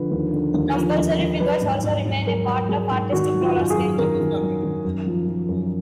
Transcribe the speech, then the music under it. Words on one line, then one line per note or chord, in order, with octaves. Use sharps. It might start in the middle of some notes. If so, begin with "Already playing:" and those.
Compulsory figures also remain a part of artistic roller skating.
Already playing: D3 F3 B4
D#2
D3
D#2
F3
D#2
D#2
F#3 B4
G#2
G#2
G#2
F#3 A#4
F#3
F#3 G#4
G#2
D#3 F#4
F#3
F4
F#2
G#4
F#2
D#3 A#4
D#3
F#3
D#3
F#2
F3
F3
F#2